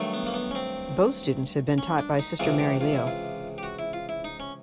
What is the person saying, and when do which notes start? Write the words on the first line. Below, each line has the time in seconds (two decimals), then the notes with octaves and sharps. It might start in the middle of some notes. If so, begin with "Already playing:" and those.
Both students had been taught by Sister Mary Leo.
Already playing: G2 D#3 F#3 A3
0.14 B3
0.27 A#3
0.34 B3
0.51 C#4
0.55 C4
1.78 C#4
1.98 D4
2.19 D#4
2.39 C#2 C3 E3 G#3 F4
2.60 G4
2.81 F4
2.94 E4
3.07 F4
3.58 G4
3.63 F#4
3.79 E4
3.93 F4
4.09 E4
4.24 D#4
4.40 C#4